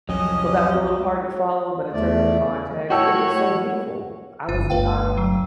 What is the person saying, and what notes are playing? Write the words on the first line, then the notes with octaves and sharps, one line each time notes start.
so, that was a little hard to follow, but in terms of context, it was so beautiful. I was not
C2 F2 F#3 C#4 D#5 D#6
E2 A3 D5
A2 F#4 C#5 G5 A5 E6
G1 F4
G1 D2 B4 F5 G5
F#3